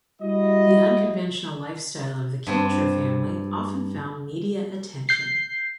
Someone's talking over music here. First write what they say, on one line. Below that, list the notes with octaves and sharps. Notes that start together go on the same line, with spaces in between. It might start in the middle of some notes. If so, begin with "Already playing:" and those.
The unconventional lifestyle of the Kilcher family often found media attention.
G3 E4 F#4 D#5
G2 C4
G6 C7